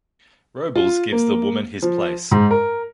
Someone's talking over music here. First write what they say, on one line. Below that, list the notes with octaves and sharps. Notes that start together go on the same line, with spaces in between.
Robles gives the woman his place.
F4
A#3
F3
G#2
A#4